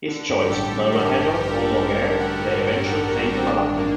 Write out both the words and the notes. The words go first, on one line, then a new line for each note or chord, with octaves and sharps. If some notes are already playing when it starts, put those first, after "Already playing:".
His choice: Maelmhaedhoc O'Morgair, the eventual Saint Malachy.
D3
G2
G4
A1 A4
A1
A4
D3 A#4
G2
A1 A4
G4
A1 A4
D3 G4
G2
A1 F#4
A1
D3
G2
A1
A1
C4
D#3 D4
G2
A#3